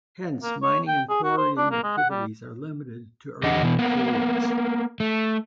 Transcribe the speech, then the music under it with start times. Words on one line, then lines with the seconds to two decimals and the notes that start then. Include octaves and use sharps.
Hence mining and quarrying activities are limited to earthen materials.
0.43 A#3
0.62 C#5
0.88 G5
1.09 G#4
1.24 F#4
1.37 C5
1.57 D4
1.71 A#3
1.83 G#3
1.97 F#5
2.10 G3
3.43 E2 D3 G4 D#5 F#5
3.62 B2 E3
3.79 A#3 B3
5.00 A3